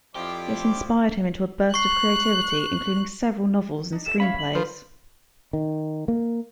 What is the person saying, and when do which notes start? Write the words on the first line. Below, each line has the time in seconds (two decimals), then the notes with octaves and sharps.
This inspired him into a burst of creativity, including several novels and screenplays.
0.15 F2 F3 E4 G4 D5 D6
1.74 C#6 F#6 C7
3.92 D4 D#4
4.06 G4 A4 E5 E7
4.20 C#4 C#5 E5 F5 B5
4.38 F#7
4.55 F3 B4
5.53 D#3
6.08 A#3